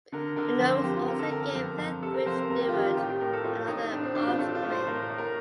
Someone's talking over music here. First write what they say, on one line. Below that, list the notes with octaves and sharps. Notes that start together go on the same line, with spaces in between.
The novels also gave Lethbridge-Stewart another offspring.
D3 A#4
D3 A#4
F2 C5
A#4
F2 G4
F4
D3 A#4
A4
D3 A#4
A#4
F2
F2
C3 A4
A#4
F2 C5
A#4
F2 A#4
G4
F4
D#3 G4
F4
A2 G4
G4
A2 A#4
A4
A2 F4
A2 D#4
A2 D4
C4
A2 D4
F4
A2 A4
F4
A2
C5
A2 A#4
A#4
A2
A#4